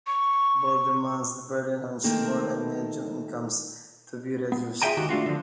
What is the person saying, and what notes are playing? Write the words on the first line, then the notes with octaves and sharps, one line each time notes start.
Volt demands the burden on small and medium incomes to be reduced.
C#6
D#3 A3 A#3 C4
B3
F4 G#4 E5 G5 G#5 A#5
C#2 D#3 D#4 F#4 G4
A3 D4 F4 F#4
D3 F3